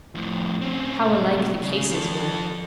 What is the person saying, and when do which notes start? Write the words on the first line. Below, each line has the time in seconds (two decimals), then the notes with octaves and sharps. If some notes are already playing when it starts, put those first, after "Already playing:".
How alike the cases were!
0.15 F2 A2
0.61 C4 C#4
1.00 A2 C3
1.62 C#3
1.90 F3 A4